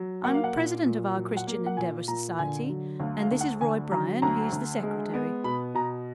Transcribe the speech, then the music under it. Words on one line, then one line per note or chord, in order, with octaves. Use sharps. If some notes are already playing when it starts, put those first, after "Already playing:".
I'm president of our Christian Endeavor Society, and this is Roy Bryan; he's the secretary.
Already playing: F#3
A#3 F#5
F5
F#5
A#2
A#2
F#3
F#5
A#3
F#5
A#2 G#5
A#2 A#5
D3 G#5
F#3
D2 F5
F5
D2
F#5
D3 G#5
F#3 A#5
D2 A#5
D2
G#3
B3
B2 B5
B2 A#5